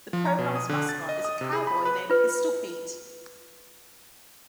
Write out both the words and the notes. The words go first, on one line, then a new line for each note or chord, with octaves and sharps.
The program's mascot is a cowboy named Pistol Pete.
F3
A#5
B2
D#6
D3
A6
D#5
D#6
C3
G#4
B5
B4
F4 B4